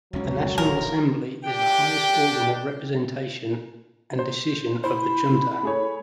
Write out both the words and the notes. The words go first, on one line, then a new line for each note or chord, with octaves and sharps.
The National Assembly is the highest organ of representation and decision of the Chunta.
F1 C#2 F#3 C#4
D1 A#1 A#4
D4 G4 G5
C5
E4 C5 B5
A3 G#4 C#5